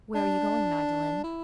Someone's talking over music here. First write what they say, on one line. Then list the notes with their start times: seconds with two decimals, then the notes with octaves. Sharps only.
"Where are you going, Magdalen?"
0.15 D4
1.24 E4